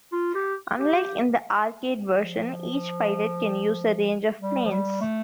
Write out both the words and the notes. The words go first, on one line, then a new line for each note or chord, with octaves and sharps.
Unlike in the arcade version, each pilot can use a range of planes.
F4
G4
G4
F3
G3
F3
G3
A3